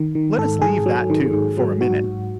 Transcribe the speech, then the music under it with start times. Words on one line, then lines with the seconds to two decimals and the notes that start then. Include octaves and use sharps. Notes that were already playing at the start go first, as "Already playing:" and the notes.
Let us leave that, too, for a minute.
Already playing: D#3
0.15 D#3
0.38 G#2 A4
0.62 G#2 G#4
0.86 F#3
1.10 D#3
1.33 G#2
1.57 F#3
1.81 G#2 F#4
2.04 G#2